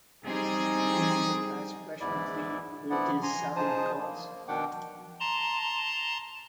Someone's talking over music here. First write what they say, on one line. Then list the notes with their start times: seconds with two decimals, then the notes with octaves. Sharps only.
Many sympathized passionately with the Southern cause.
0.24 G3 C4 D#4 G#4
2.00 E2 G#2 E4 D5
2.90 F3 B3 E4 D5 F#5
3.23 G#5 A#5 C6
3.56 F3 D#4 G#4 C5 A5 D#6
3.97 A#3
4.48 B2 D#3 D4 F#5 G5 D6
5.20 A5 A#5 C6